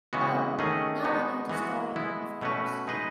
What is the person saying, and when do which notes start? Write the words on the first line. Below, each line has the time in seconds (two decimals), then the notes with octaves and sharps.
Oh, now I know the story, of course.
0.13 C#3 E3 G#3 B3 F#4
0.59 D#3 A3 C#4 G#4 D#5
1.04 G#3 B3 D#4 F#4
1.49 E3 G#3 B3 F#4
1.96 G#3 B3 E4
2.41 B2 A3 C#4 F#4 B4
2.87 G#3 D#4 G#4 B4 D#5